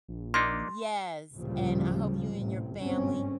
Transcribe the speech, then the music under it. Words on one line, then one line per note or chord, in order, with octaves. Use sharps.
Yes, and I hope you and your family
A#1
A#3 D4 D#4 C6
A1 D2 A#2 C#3 F3 G3
A1 C3
G1 G#2 B2 C4 C#4